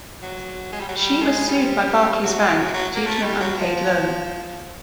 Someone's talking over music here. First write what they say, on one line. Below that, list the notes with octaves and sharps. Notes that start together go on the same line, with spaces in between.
She was sued by Barclays Bank due to an unpaid loan.
F#3
G#3
G3
F#3
G3
G#3
G3
F#3
G#3
F#3
F#3
A#3
A3
G3
F#3
F3